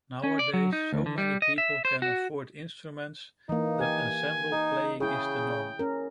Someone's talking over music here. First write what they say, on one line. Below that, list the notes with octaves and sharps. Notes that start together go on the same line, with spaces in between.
Nowadays so many people can afford instruments that ensemble playing is the norm.
C#4
D5
F#3
D#4
D2
D3
G3
D#5
E5
C5
F#4
E3 A#3 D#4
G4 G#5
D#4
C#3 E4 G#4 G5
C#4 A#4